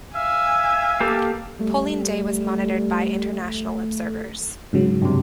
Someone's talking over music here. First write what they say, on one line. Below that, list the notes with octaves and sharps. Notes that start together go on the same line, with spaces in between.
Polling day was monitored by international observers.
E5 F5 G#5
A#3 G4 A4
G3 A3
G#2 C#3 F#3
G2 C3